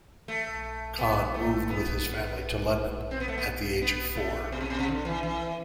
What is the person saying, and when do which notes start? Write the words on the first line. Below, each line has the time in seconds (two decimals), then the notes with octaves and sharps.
Khan moved with his family to London, at the age of four.
0.28 A3
0.98 B3
1.34 A3
1.70 B3
3.11 C4
3.20 B3
3.28 A3
3.38 B3
3.82 B3
4.16 A3
4.52 B2
4.61 C3
4.70 B2
4.79 C3
4.88 D3
5.05 E3
5.23 E3